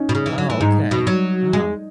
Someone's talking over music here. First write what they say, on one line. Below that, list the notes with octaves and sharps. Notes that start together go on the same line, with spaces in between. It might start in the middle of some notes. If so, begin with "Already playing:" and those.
Oh, okay. Oh,
Already playing: C#4 D#4
B2
C#3
E3
F#3
E3
G#2 D#4
B2
F#3
G#3